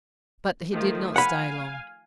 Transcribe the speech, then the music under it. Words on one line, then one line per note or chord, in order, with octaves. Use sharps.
But he did not stay long.
D#3 F3 A3
F5 F#5 G#5 B5